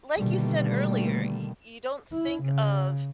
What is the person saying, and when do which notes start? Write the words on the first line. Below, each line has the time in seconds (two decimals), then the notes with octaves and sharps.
like you said earlier, y you don't think of
0.19 B2 D3 D#3 G3 A3 A#3
2.13 E4
2.42 C#3